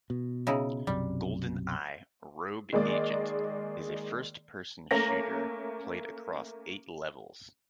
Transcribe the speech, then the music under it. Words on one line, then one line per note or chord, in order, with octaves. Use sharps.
"GoldenEye: Rogue Agent" is a first-person shooter, played across eight levels.
B2
C#3 D#4 E4
B1 F#2 C3 G3
D#3 G#3 A#3 G#4 D5
A3 A#3 C#4 A#5 A#6